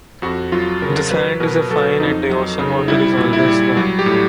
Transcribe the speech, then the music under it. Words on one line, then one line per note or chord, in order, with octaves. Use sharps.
The sand is a fine and the ocean water is always warm.
F2 F#4
F#3 F4
C#3 A#4
F#3 B4
B2 A#4
F#3 A4
F2 D#4
F#3
C#3
G3 E4
A#2
E4
G3
F#3
G4
A2